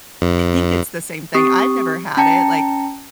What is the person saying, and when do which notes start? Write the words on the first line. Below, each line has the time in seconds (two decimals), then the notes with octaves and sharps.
I think it's the same thing. I've never had it, like,
0.22 F2
1.35 C4 G4 C#6 D#6
2.17 C#4 G5 A5 A#5 C#7